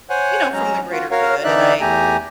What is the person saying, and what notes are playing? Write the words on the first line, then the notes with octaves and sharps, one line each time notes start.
you know, from the greater good, and I
C5 C#5 F#5 G#5
F#3 G#3 C#4 A#5
F4 F#4
F#4 A#4 C#5 F5
D3 E3 D#4 D5 E5 F#6
E2 A3 G4 G#5 A#5